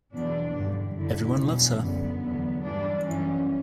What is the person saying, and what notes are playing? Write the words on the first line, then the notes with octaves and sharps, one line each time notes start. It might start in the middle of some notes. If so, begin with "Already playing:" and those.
Everyone loves her.
E2 B2 F#3 D4
G2 D3 G3
F#2 D3 F#3 E4
E2 B2 G3 C#4
F#2 D3 F#3 B3
E2 D3 F#3
G2 E3 G3 D4
F#2 E3 G3 C#4